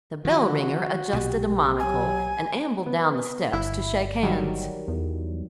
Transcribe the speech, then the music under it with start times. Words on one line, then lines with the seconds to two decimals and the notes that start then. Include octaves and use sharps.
The bell-ringer adjusted a monocle and ambled down the steps to shake hands.
0.25 D#3 F3 F#4
1.13 B1 A#2 G4
1.80 F#3 G#5
2.86 B3
3.53 G1 E4
4.23 D#3 F#3 G3
4.88 E2